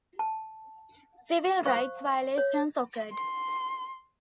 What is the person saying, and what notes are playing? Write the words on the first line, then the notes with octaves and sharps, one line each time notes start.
Civil rights violations occurred.
A5
C5 F5 C#6
C#5
C6